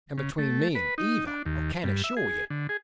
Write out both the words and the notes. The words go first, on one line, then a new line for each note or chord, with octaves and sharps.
"And between me and Eva, I can assure you."
C#3
A3
B4
D#4
D4
D#2
G2
E5
G#4
D3
G#4